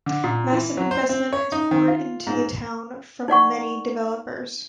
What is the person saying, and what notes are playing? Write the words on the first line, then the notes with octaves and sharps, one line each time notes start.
Massive investment has poured into the town from many developers.
D3
A#2
E3
F#3
C5
C4
C#5
D#4
D#3
F4
G#2
D#4 D5 F#5 C#6